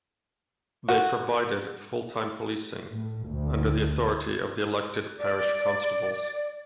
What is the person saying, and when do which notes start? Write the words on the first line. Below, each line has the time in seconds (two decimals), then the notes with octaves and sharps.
They provided full-time policing, under the authority of the elected parish constables.
0.89 F#4
2.92 A2
3.29 D2
5.16 D5